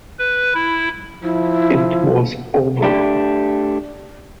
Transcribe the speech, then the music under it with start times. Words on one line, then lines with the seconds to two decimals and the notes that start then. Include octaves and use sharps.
It was over.
0.19 B4
0.55 E4
1.23 F3 E4
2.82 A3 D4 G4